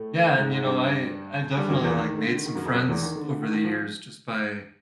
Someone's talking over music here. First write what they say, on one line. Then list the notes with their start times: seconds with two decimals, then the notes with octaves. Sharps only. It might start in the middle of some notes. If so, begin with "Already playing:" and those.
Yeah, and, you know, I I definitely, like, made some friends over the years just by,
Already playing: A2 A3
0.37 G#2 G#3
0.51 G#2 G#3
0.64 G2 G3
1.57 G2 G3
1.70 F#2 F#3
1.83 E2 E3
1.97 D#3
2.17 D3
2.35 D#3
2.46 D#3
2.55 F#2 F#3
2.65 F2 F3
2.75 F#2 F#3
2.89 E2 E3
3.03 D#3
3.16 D3
3.28 D3
3.42 D#3
3.55 D#3
3.65 F3